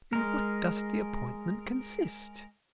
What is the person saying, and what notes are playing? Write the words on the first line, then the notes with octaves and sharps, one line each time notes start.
"In what does the appointment consist?"
G#3 A#4